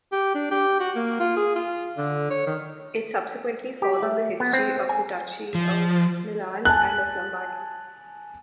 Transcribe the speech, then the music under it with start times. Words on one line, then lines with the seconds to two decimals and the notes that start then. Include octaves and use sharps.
It subsequently followed the history of the Duchy of Milan and of Lombardy.
0.13 G4
0.35 D4
0.51 G4
0.80 F#4
0.96 A#3
1.20 F4
1.37 G#4
1.56 F4
1.98 D3
2.31 C#5
2.47 D#3
3.82 G4
4.02 A3
4.40 B3
4.53 C4
4.89 G#5
5.55 F3
6.65 G#5 A5 F#6